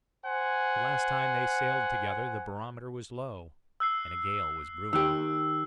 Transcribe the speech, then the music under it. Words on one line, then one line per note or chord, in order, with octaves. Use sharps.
The last time they sailed together the barometer was low, and a gale was brewing.
C5 F#5 G#5
E6 F#6 C7
D#3 G4 E6 F#6